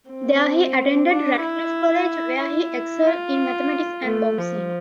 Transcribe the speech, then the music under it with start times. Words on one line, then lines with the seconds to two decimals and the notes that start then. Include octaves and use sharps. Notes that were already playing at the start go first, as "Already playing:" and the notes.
There he attended Ratcliffe College, where he excelled in mathematics and boxing.
0.10 C4
1.10 D4
1.43 E4
2.41 E4
3.06 F4
4.04 A3
4.38 F3